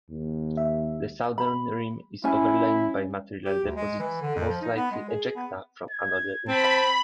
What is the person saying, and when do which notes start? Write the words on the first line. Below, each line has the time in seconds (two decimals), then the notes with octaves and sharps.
The southern rim is overlain by material deposits, most likely ejecta from another impact.
0.10 D#2
0.57 E5
1.38 B5
2.24 C#4 E4 G#5
3.45 G4
3.64 D2
3.76 G#3
3.99 E3
4.21 D3
4.36 F2
4.50 F3
4.61 D#4
4.76 B3
4.92 G#3
5.10 G#4
5.36 B3
5.91 G#6
6.48 C4 A5 B5